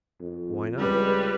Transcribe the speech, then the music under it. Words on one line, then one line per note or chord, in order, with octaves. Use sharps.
"Why not?"
F2
C#2 G3 B4